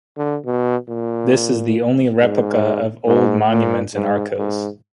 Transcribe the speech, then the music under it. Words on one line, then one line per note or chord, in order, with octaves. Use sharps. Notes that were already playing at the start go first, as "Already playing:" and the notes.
This is the only replica of old monuments in Arcos.
D3
B2
A#2
G#2
G#2
A#2
G#2
G#2